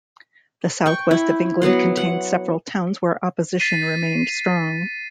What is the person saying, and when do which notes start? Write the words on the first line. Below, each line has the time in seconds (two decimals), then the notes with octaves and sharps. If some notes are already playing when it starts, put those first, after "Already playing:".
The South West of England contained several towns where opposition remained strong.
0.86 G5 C#6
1.11 E4
1.62 F#3 B3 F#5 C6
1.97 F#5
3.60 A6 B6 C7 D#7